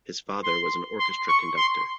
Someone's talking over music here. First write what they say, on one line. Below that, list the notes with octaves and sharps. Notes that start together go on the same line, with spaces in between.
His father was an orchestra conductor.
C6
C6
C#6
C6